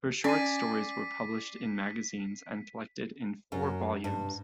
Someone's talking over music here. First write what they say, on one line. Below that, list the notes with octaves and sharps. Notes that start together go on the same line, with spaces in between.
Her short stories were published in magazines and collected in four volumes.
C#4 D5 G#5 B6 C7 D#7
F#2
G2